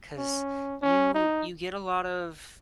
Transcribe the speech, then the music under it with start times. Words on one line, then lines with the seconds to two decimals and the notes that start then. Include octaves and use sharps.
'cause you you get a lot of
0.18 C#4
0.82 C#4
1.14 D#4